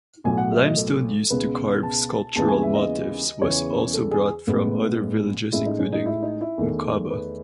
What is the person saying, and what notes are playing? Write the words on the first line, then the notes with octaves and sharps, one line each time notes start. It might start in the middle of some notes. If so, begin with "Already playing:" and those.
Limestone used to carve sculptural motifs was also brought from other villages including Mqabba.
B1 A2 F#3 G#5
F#5
E5
D#5
A4
C#2 B2 G#3 B3 B4
A5
D#2 C#3 E3 G#3 B3 A5
G#5
E5
D#5
E2 C#3 E3 B3 C#5
A4
G#4
A1 A2 G#3 B3
A1 A2 G#3 E4
D#4
C#4
D#4
E4
D#4
E4
E2 D#3 A3
B4